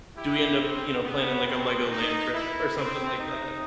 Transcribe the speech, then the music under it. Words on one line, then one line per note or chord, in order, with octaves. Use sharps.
do we end up, you know, planning, like, a LEGOLAND trip or something like that?
E4 G4
C4
B3
C4
D#4
E4
C4
D#4